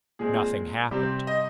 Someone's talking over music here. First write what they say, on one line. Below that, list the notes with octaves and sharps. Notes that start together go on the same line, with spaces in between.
Nothing happened.
A#2 G#3 C4 G#4
C3 G3 C4 G4
D#5